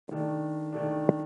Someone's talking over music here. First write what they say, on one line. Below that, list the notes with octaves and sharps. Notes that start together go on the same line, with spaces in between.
Where there no such beings, men would not die.
D#3 A3 D4
D#3 A3 D4